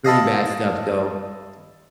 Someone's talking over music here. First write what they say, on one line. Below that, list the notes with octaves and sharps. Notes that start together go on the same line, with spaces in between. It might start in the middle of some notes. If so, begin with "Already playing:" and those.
Pretty bad stuff, so,
E4 A4 D#5 F5